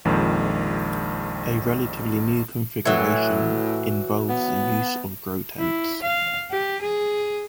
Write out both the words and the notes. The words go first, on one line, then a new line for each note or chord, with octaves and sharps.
A relatively new configuration involves the use of grow tents.
A#1 F2 D#3 G#3
A2 E3 F#3
B3
E4
F5
G4
G#4